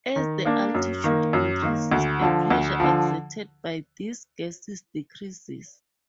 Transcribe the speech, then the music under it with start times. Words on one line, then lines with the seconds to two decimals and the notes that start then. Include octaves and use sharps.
As the altitude increases, the pressure exerted by these gases decreases.
0.16 D#3
0.45 A#3 D4
0.75 F#2
1.04 D#3 A#3
1.33 F#2
1.62 D#3 A#3
1.92 D2
2.21 D3 F3
2.50 D2
2.80 D3 F3